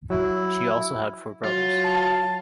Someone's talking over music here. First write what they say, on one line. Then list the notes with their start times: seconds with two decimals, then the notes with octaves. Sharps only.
She also had four brothers.
0.10 F#3 E4
1.44 F#3 F4
1.84 A5